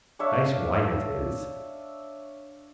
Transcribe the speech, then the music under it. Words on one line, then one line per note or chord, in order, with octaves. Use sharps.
Nice wine it is.
D4 C#5 E5 F5